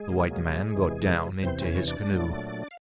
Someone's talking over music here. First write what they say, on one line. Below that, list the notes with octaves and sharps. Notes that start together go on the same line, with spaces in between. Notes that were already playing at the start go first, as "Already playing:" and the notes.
The white man got down into his canoe.
Already playing: G#3 G#4
B2 F#3 A#3
E2 C3 E3
E2 C3 E3 C4 C5
C#4 C#5
D4 D5
A#2 F#3 A3
F5